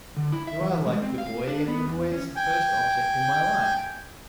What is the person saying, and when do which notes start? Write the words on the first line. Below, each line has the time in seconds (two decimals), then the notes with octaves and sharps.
You are like the boy, and the boy is the first object in my life.
0.17 D3
0.32 E4
0.47 E5
0.61 E3
0.86 G#3
1.02 C4
1.18 F5
1.48 D4
1.68 B3
1.87 E2
2.12 C#4
2.36 G5 G#5